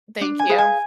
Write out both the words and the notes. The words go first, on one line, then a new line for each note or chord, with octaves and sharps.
Thank you.
D4
G#5
G#4 B4 F5
G#5